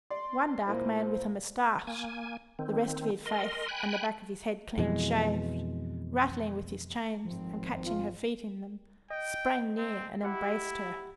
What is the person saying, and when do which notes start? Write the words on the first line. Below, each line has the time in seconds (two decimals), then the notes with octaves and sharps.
One dark man with a moustache, the rest of his face and the back of his head clean shaved, rattling with his chains and catching her feet in them, sprang near and embraced her.
0.10 D5 C6
0.67 A#2 A#3 E4 C5
1.87 A#3 G#5
2.59 D#3 C4
3.26 A#4 D#5 C6
3.68 G5 G#5 B5 F#6
4.78 F2 B2 E3 G#3
7.25 G#1 F3 C4
7.85 F4
9.11 D#5 G5
9.78 C4
10.23 E4 G4 F#5 B5